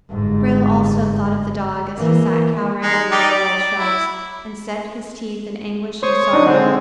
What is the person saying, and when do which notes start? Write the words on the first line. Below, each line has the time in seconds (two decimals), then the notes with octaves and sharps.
Frale also thought of the dog as he sat cowering under the laurel shrubs, and set his teeth in anguish and sorrow.
0.10 G1 G#2
1.97 E3 A#3
2.83 G#3 D#4
3.11 G3 D#4 G4
3.30 D5
3.79 E4
6.03 C5 C#5 C#6 D#6
6.33 D4 D#4
6.47 D3 G#3 C4 C5 F#5